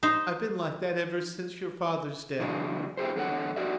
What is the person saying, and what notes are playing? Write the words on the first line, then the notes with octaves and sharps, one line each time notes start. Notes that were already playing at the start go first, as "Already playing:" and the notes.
I've been like that ever since your father's death.
D#4 C5
C#3 E3 F#3 D4 E4 G#4
E4 G4 G#4 C5
E2 D3 A4 C#5 F#5
F#4 G4 D5 E5